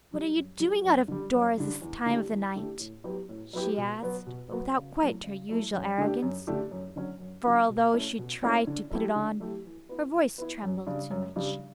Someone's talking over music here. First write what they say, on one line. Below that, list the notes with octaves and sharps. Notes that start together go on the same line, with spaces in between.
"What are you doing out of doors this time of the night?" she asked, but without quite her usual arrogance, for, although she tried to put it on, her voice trembled too much.
E3 G3
F#2
E3 G3
F#2
D3 G3
F#2
D3 G3
E2
D3 A3 E4 G4
E2
D3 A3 E4 G4
A2
F#3 B3 E4 G4
A2
F#3 B3 E4 G4
B2
F#3 B3 F#4
B2
F#3 B3 F#4
C#3
F#3 A3 E4
C#3
F#3 A3 E4
F#2
D3 A3 D4 G4
F#2
D3 A3 D4 G4
F#2
D3 F#3 C#4 F#4
F#2
D3 F#3 C#4 F#4
B2
A3 C#4 E4
B2
A3 C#4 E4
D3
F#3 A3 E4 G4
D3
F#3 A3 E4 G4
E3
B3 E4
E3
B3 E4
F#2
C#3 G3 D4
F#2
C#3 G3 D4